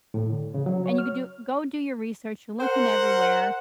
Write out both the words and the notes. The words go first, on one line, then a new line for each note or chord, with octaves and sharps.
and you could do go do your research, you're looking everywhere,
A2
D3
C#3
F#3
C#5
F6
A#4 C5 F#5